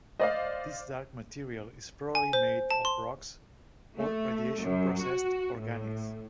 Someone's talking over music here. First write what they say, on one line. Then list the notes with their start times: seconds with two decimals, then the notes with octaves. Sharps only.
This dark material is probably made of rocks or radiation-processed organics.
0.20 C5 D5 D#5 F5
2.15 G#5
2.33 C5
2.71 A5
2.85 C6
3.98 A3
4.61 F#2
5.03 F#4
5.58 A2